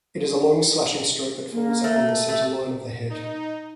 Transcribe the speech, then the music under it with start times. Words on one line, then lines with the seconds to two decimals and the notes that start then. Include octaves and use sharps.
It is a long slashing stroke that falls on the centre-line of the head.
1.52 A#3
1.84 A3
2.29 A3
3.10 D#4